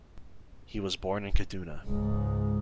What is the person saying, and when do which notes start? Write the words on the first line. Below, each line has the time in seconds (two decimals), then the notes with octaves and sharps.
He was born in Kaduna.
1.85 C#2 G#2